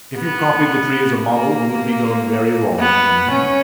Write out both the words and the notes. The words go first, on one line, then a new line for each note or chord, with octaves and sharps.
If you copied the tree as a model, you would be going very wrong indeed.
B3
A#3
B3
C#4